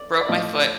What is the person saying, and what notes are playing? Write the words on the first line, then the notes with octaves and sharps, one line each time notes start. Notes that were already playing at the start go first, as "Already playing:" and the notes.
broke my foot,
Already playing: D5
D5
A2 F3 D#5